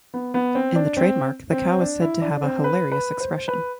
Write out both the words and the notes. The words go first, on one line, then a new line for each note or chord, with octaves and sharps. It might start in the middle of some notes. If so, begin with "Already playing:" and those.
In the trademark, the cow is said to have a hilarious expression.
B3
B3
C4
D4
C4
C4
D4
E4
D4
C4
B4
B4
C5
B4